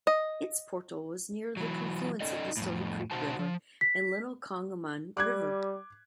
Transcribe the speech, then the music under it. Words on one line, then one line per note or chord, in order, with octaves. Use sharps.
Its portal was near the confluence of the Stonycreek River and Little Conemaugh River.
D#5
E3 F#3
C#4 D#4 A4 D5 D#5
F2 A2
B2 D#4 F#4 C5 A5
F3
B6
G3 D6 F#6 G#6